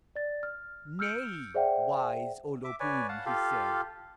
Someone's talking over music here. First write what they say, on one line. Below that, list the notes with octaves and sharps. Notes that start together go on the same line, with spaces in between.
"Nay, wise O-lo-pun," he said.
D5 A6
F6
E6 F6 G6 C#7 D7
G#4 C5 D5 E5 F#5 G5
E5 D6
B4 C#5 D5 G#5
F5 F#5 A5
F4 G4 A4 F5